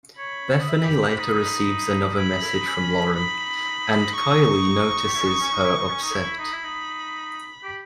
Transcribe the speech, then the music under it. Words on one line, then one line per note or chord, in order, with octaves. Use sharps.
Bethany later receives another message from Lauren and Kylie notices her upset.
C#5 B5
C#5
D#5
E5
G4
G4
D#4
D#4
E4 B5
D#4
E4
D#4
C#4
D#4 B5
C#6
G4
E4
C#4
D#4
C#4
D#4
E4
D#4
C#4
D#4
E4 B5
D#4
E4
D#4
G4